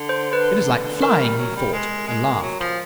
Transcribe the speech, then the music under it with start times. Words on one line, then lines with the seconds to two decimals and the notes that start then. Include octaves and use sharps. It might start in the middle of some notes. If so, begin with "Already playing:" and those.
"It is like flying," he thought and laughed.
Already playing: D3
0.09 C5
0.33 B4
0.96 D3
1.02 D#3 A#4
1.21 G3
1.38 F#3
1.56 G3
1.73 G#3
2.07 G#3
2.42 F#3
2.60 F3